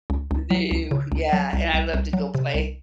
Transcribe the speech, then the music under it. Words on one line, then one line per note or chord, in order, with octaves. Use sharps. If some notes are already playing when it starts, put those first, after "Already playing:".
Lou, yeah, and I loved to go play
C#2
C#2
F#3
C#2
C#3
C#2
F#3
C2
C2
C2
F#3
C3
C2